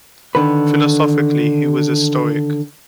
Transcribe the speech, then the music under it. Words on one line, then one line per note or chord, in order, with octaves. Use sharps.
Philosophically he was a Stoic.
D3 D#3 B4